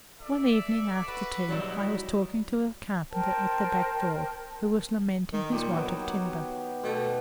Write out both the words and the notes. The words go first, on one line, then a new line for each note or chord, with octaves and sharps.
One evening after tea I was talking to a carpenter at the back door, who was lamenting his want of timber.
A4 D5 E5
F#4 B4
F#3 G3 D#4 E4
A#4 C5 G5 A5
D#3
A#2 G4
D#3 F#3 B3
B2 A3